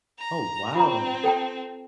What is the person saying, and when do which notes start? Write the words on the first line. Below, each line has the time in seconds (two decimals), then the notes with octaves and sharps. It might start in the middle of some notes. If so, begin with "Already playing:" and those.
Oh, wow.
0.19 A#5
0.75 C4 F4 A#5
1.24 A4 G5 A5